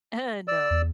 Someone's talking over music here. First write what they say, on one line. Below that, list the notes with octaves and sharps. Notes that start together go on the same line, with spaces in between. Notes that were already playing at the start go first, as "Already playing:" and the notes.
Eh, no.
D5 E6
E2